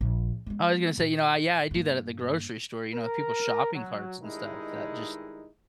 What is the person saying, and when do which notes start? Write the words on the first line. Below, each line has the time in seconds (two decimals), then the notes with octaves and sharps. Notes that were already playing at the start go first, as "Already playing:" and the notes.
I was gonna say, you know I yeah, I do that at the grocery store, you know, with people's shopping carts and stuff that just
0.01 A#1
0.46 G#3 B3
0.97 A#2
1.71 G2 A#3
2.94 A#4
3.75 F#3
4.22 G2 D#3 G#3 D#4 E4